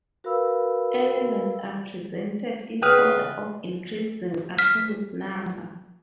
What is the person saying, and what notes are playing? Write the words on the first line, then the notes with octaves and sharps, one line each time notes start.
Elements are presented in order of increasing atomic number.
F#4 A#4 B4 F5 B5 E6
C#3 B3 B4 G5 D#6 F6
F6 B6